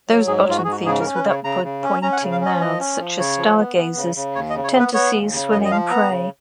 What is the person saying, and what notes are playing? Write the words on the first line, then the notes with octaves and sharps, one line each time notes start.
Those bottom feeders with upward-pointing mouths, such as stargazers, tend to seize swimming prey.
F#3
G#2 G#4
G#2 F4
F#4
G#2 G#4
F#4
C#3 G#4
A#4
C#4
B4
C#3 C#5
C#3 A#5
C#3
C#4
C#4 A#5
F#5
G#5
C#3
F5
C#4 D#5
F3 D#5
C#4
F3
C#3 C#5
F3
B3
B3
C#3
C#3
D#2 C#5
D#5
C#3
C#5
B3
B4
B3 C#5
D#2
C#3
F#2 D#5
D#5
F3 F5
B3 A#5
C#3